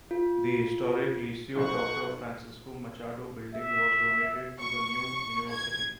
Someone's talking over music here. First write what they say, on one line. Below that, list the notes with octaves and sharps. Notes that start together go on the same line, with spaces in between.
The historic Liceu Doctor Francisco Machado building was donated to the new university.
F4
B1 C5 F#5 C#6
E5
C#6
G#6